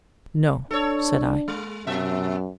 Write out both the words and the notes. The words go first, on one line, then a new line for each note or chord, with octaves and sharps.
"No," said I.
D4 A4 C#5
G#3
F#2 B2 E5